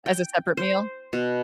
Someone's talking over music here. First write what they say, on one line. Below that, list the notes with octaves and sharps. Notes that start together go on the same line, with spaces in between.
As a separate meal?
G5
C5
B2